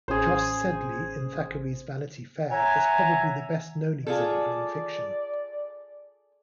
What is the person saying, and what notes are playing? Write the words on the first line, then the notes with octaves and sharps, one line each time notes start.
Jos Sedley in Thackeray's "Vanity Fair" is probably the best known example in fiction.
A1 C#4 G#4 C5
C#5 E5 F#5 G#5 A#5
F4 G#4 A4 D5